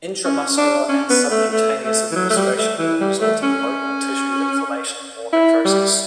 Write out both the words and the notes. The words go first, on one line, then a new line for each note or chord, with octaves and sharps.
Intramuscular and subcutaneous administration could result in local tissue inflammation or necrosis.
C#4
D4
C#4
B3
A3
A3
A3
E3
F#3
A3
G3
A3
E3
G3
A3
C#4
E4
G3